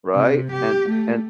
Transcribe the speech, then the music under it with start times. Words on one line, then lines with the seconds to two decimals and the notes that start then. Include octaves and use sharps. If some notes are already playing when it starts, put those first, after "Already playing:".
right? And and
0.15 C3
0.52 G4
0.89 A3